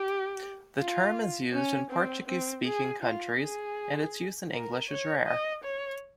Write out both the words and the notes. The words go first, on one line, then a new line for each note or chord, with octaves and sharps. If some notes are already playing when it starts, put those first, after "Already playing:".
The term is used in Portuguese-speaking countries, and its use in English is rare.
Already playing: G4
F4
C#4
C4
C4
G#4
F4
G#4
A#4
C#5
D#5
C#5